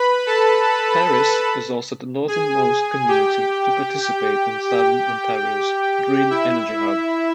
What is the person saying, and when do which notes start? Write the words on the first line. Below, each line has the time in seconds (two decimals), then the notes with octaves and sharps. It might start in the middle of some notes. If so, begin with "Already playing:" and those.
Paris is also the northernmost community to participate in Southern Ontario's Green Energy Hub.
Already playing: B4 B5
0.27 A4 A5
2.28 G#4 G#5
3.09 G4 G5
4.69 G4 G5
6.30 E4 E5